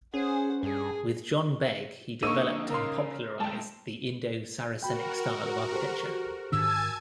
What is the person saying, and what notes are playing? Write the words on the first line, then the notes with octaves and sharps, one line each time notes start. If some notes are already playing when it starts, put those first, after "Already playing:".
With John Begg he developed and popularised the Indo-Saracenic style in architecture.
C#4 G#4 C5 F#5
G2 G#4
F2 D3 A#3 D#4 C#6 E6 D#7
C#3 A#4 C6
G#3 A3 G5 A5
F#4 A#4 G5 B5
G4 A4 C5
G#2 D#3 D4 G#5 A5 E6 G#6